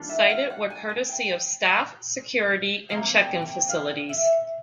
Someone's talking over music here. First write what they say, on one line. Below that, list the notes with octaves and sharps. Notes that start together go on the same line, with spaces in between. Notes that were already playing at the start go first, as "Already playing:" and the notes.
Cited were courtesy of staff, security, and check-in facilities.
Already playing: D#3 G3 A#3 D4 F4
E5
F#5
F5
F#5
G#5
G#5
G5
C3 F3 A#3 F5
G5
G5
F5
E5